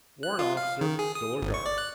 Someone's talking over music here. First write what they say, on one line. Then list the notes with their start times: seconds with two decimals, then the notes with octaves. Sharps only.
Warrant Officer--Solar Guard.
0.23 F#6
0.39 F4
0.57 F5
0.81 D#3
0.99 G#4
1.15 D#6
1.42 G#1
1.54 C#6
1.66 D5
1.78 F#6